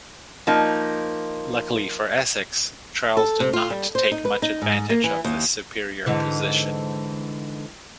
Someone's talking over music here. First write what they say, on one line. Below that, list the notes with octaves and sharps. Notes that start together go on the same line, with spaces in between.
Luckily for Essex, Charles did not take much advantage of this superior position.
F3 A#3 D#4
A4
C3
F4
G3
C5
D#4
B4
D#4
G#2
A#3
E3
D#2
G#2 D3 E3